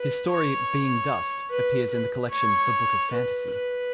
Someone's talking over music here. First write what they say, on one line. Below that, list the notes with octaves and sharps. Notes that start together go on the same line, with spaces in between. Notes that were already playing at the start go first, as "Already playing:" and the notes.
His story "Being Dust" appears in the collection The Book of Fantasy.
Already playing: B4
C#5
B4
B4
C#5
B4
B4